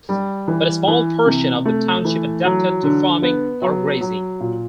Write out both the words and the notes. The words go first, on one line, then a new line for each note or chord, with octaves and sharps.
But a Small portion of the Township adapted to farming or grazing.
G3
E3
E3
C3
A3
E3
F#3
D3
B3
F#3
F#3
A#2